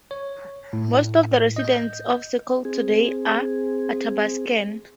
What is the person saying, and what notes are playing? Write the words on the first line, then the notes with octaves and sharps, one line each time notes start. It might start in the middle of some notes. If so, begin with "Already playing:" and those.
Most of the residents of Circle today are Athabascan.
C#5
A2
D#5 G6
C4 G#4